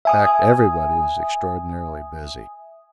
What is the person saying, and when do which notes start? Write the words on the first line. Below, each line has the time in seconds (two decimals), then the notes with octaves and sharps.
In fact, everyone is extraordinarily busy.
0.05 E5 G#5 D#6